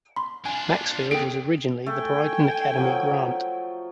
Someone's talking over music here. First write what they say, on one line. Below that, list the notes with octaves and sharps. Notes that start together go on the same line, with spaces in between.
Maxfield was originally the Brighton Academy grant.
B5 C6
D4 F4 G#5
D5
E2 G#4 A4 G5 D#6 D7
A3 G5 G#5
F3 F#3